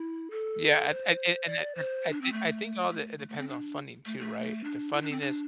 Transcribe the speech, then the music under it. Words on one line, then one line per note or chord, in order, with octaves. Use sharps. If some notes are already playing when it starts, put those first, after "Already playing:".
Yeah. I I an anc I think I think all that it depends on funding too, right? If the funding is
Already playing: E4
A4
C5
D5
C5
D4
C4
A3
A3
A3
A3
C4
D4
A3
A3
D4
E4
D4
C4
D4